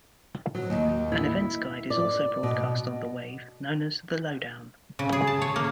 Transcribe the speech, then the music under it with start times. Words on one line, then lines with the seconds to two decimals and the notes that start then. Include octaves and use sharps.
An events guide is also broadcast on The Wave, known as "The Lowdown".
0.55 F#3
0.70 D#2
1.12 E4
1.90 D5
2.43 B2
4.99 C#3
5.12 G#4
5.27 A5
5.42 C#5
5.56 A#3